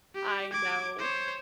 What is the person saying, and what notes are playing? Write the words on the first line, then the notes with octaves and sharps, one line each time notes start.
I know.
G4
D6 G#6
C5 C#5